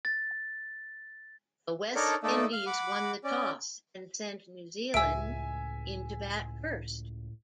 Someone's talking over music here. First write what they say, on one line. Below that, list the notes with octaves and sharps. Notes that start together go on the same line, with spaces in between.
The West Indies won the toss and sent New Zealand in to bat first.
A6
D4 D#4 A4 A#4 C#5 D5
A3 A#3 D#4 A4 D5 E5
F5 F6
F#5 B5 D6
C#4 D5
C#2 A2 E5 G#5 E6 D7